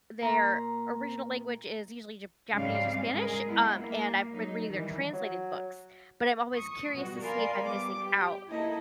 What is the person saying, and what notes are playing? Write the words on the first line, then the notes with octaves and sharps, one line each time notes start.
their original language is usually Jap Japanese or Spanish, um and I've been reading their translated books, but I'm always curious to see if I'm missing out
A#2 A#5 C6
G#2 C#3 G3 G#3 C4 F5
G#3 G#4 A#4
G#3 B3 E4
A#3
F#3 D#4
D#3 E3 G3
F#3
C#6 D#6
B2 G3 F#4
A#4 D5 F5 G#5 B5 C6
G3 B3 D6
G4
A#3 D#4 E4 A4 D#5